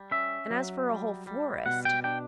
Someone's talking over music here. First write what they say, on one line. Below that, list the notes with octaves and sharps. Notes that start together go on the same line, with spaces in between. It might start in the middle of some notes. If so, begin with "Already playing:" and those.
And as for a whole forest--!
Already playing: G3
C#4 E5
F#3
G3
G3
B2 F#5
G5
D4 G5